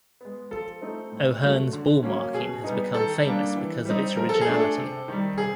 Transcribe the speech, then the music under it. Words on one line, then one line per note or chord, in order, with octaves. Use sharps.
O'Hern's ball marking has become famous because of its originality.
G#3 B3
F3 A4
A3 C4 D#4
A2
F#3 A3
D3
F#3 A#3 C#4
B2 G#4
G3 B3 D#4
D#3 A4
G3 A#3 D4
E3
G3 C4 D#4
F3 A#4
A4
G#4
A3 D4
A4
C3
D#3 G3
C3 G#4